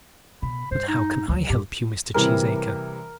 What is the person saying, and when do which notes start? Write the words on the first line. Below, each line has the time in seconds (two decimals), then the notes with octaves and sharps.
"But how can I help you, Mr. Cheesacre?"
0.42 B2 B5
0.71 G2 C5
0.88 D#4
1.28 D2 E3 F#3
1.50 G2 G4
2.14 C3 E3 G3 A#4